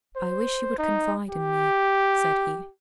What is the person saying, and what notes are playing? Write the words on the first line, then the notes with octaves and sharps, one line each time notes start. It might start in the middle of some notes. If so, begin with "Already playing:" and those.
"I wish you would confide in me," said he.
C5
D#4
G4